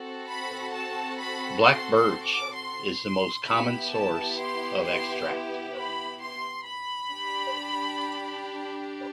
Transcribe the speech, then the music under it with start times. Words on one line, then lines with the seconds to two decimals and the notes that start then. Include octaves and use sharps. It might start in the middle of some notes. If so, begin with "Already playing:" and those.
Black birch is the most common source of extract.
Already playing: C4 F#4 A4
0.29 B5
0.75 A5
1.20 B5
1.65 C6
1.96 C6
2.26 D6
2.56 C6
3.02 C6
3.47 B3 E4 G4 B5
3.93 A5
4.38 C6
4.84 C6
5.75 B5
6.21 C6
6.66 B5
7.11 D4 G4